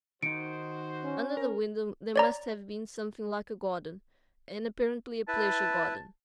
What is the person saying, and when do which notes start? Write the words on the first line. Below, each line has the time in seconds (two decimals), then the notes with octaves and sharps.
Under the window there must have been something like a garden, and apparently a pleasure garden.
0.23 D#3 D#4 F#4 C5 C#7 D7
1.04 C#4
1.37 A#4
2.16 C#5 D5 A#5
5.28 E4 B4 A5